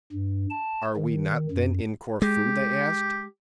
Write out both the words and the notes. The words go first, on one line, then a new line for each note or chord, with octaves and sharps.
"Are we not, then, in Corfu?" they asked.
G2
A5
D#3
F#2
G#3 G4